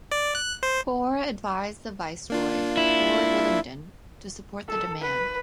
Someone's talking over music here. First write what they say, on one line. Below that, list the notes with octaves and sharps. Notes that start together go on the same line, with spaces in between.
Hoare advised the Viceroy, Lord Willingdon, to support the demand.
D5
F#6
C5
A#3 D4 F4
E4
A4
B4